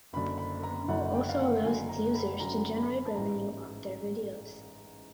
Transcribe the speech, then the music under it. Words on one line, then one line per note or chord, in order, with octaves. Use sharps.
Rumble also allows its users to generate revenue off their videos.
F#1 F#2 D3 B5
B5
A#5
F#1 F#2 D3 F#5
G5
F5
F#5
F#1 F#2 D3 G#5
A#5
B5
F#1 F#2 D3 A#5
B5
A5
A1 G#2 E3 A#5